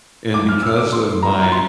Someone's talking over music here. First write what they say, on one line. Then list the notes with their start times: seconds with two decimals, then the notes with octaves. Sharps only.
and because of my
0.34 D6
0.49 F6
0.62 E6
0.77 D6
0.92 C6
1.23 A#5
1.42 A#5
1.52 C6